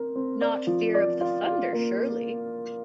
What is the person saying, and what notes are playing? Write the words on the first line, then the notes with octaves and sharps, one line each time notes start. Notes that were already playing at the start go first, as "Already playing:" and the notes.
Not fear of the thunder, surely?
Already playing: C4 A#4
C4
D5
F3
D5
F4
F4
A#3